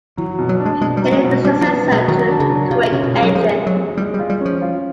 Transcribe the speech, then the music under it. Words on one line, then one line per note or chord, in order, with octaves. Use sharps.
It is the successor to the "Quake" engine.
E3 F#3
B2
F#3
D4
G#3
B2 G#3
G3
F#3
G#3
B2
G3 D4
F3
B3
B2
G#3
D#3 F#3
D4
C#3
F#3
C3 F4
C3 C#4
B2
G#3
F#3
F3 G#3
G#3
F#3
G#3
G3 G#3
G3
F4
G3
F3 C#4
F4